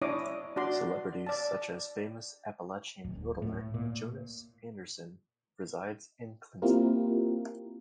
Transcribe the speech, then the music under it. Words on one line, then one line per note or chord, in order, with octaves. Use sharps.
Celebrities such as Famous Appalachian Yodeler Jonas Anderson resides in Clinton.
D4 E4 C#5 D#5 D6 D#6
D4 F#4 D5 C6
D5 A5
D1
A2
A#2
A#3 C4 E4 F4 G4 A#4